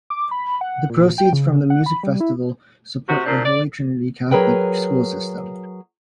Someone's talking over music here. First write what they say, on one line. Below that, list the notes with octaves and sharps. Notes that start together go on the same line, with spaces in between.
The proceeds from the music festival support the Holy Trinity Catholic school system.
D6
B5
F#5
A#2
G5
C#3
F#5
B5
G3
E4
C3 F#4
A#2 C4 D4
D5
F#3 G#4 A#4 B4 G5